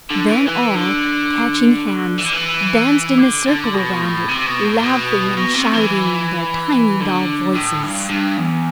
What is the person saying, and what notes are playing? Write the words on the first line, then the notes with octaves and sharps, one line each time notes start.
Then all, catching hands, danced in a circle around it, laughing and shouting in their tiny doll voices.
D3
E3
E3
D3
E3
D3
E3
D3
D3
B2
A2
C3
B2
A2
A2
B2
B2
C3
E3
D3
A2
G2
G2
E2